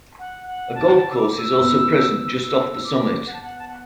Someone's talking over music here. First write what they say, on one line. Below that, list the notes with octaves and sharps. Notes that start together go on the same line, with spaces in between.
A golf course is also present just off the summit.
F#5
F#5
A5
A5
E6
D6
E6
B3
E6
D6
F#5
A5
F#5
A5
F#5